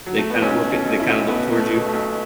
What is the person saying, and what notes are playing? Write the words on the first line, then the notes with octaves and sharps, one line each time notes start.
they kinda look at they kinda look towards you
F#3
A3
B3
B1 C#4
B2
C#4
B1
E4
B1
B2 B3
B2
A3
B2
A3
B1